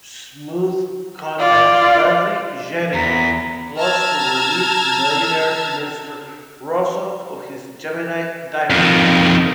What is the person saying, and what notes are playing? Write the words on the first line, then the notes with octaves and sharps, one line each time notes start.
Smooth conman Dudley Jerico plots to relieve millionaire Mister Rosso of his Gemini diamond.
F4 D5
E2 A#5 B6
A5 A#5 E6 F6 G#6 A6
F2 D#3